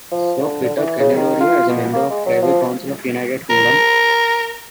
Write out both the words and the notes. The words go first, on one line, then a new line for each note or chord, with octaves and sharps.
Sir Peter Kenilorea as a member of the Privy Council of the United Kingdom.
F3
D3
D3
E3
C#3
D#3
F4
B2
A#3
G#3
F#3
F3
A#4